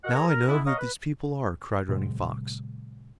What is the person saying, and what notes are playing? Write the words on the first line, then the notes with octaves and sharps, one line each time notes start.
"Now I know who these people are," cried Running Fox.
F#4 A#4 D#5 F#5
D#2 F#3 G#4 C#5 A#5
A#4
G#3 B3 D4 E4
C#5 D#5 F5 A#5 C#6 D#6
B4
A#2 C#3 F#3 G#3